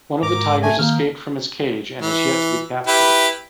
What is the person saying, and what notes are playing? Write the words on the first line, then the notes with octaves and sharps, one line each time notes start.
One of the tigers escaped from its cage and is yet to be captured.
G#2 A#4 A#5 D6
A3 G#5
D#3 A#3 F6
E3
E4 G4 B4